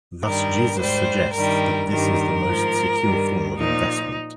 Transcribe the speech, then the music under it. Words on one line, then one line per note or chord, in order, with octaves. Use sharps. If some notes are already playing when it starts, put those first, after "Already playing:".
Thus Jesus suggests that this is the most secure form of investment.
G2 D#3 G3 A#4
G#2 G3 C5
G2 D#3 G3 A#4
G2 D#3 G3 A#4
G#2 F3
G2 D#3 G3
A#2 F3 D#4